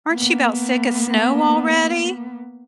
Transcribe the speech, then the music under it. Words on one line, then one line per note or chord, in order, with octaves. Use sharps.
aren't you 'bout sick of snow already?
A#3 B3